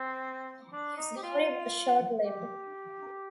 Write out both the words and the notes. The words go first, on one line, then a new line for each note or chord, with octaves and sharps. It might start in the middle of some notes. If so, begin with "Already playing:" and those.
His glory was short lived.
Already playing: C4
D4
D#4
G4
F4
G4